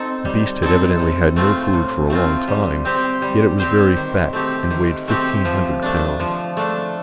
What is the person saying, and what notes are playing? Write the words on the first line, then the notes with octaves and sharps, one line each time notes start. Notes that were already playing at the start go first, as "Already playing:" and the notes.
The beast had evidently had no food for a long time, yet it was very fat, and weighed fifteen hundred pounds.
Already playing: C4 D#4 A4
G3
C4 D#4 A4
A2
A3 C4 F4
A2
A3 C4 F4
G3
C4 G4 C5
G3
C4 G4 C5
D#3
A3 C4 G4
D#3
A3 C4 G4
F3
A3 D4
F3
A3 D4